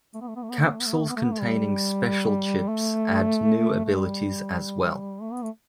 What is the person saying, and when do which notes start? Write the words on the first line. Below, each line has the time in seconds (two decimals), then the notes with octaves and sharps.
Capsules containing special chips add new abilities as well.
0.14 A3
0.21 B3
0.28 A3
0.36 B3
0.43 A3
0.50 B3
0.58 A3
0.64 B3
0.72 A3
0.80 B3
0.87 A3
0.94 B3
1.02 A3
1.09 B3
1.16 A3
1.23 B3
1.31 A3
1.41 G3
2.68 A3
3.85 A3
3.94 G3
5.22 A3
5.33 B3
5.43 A3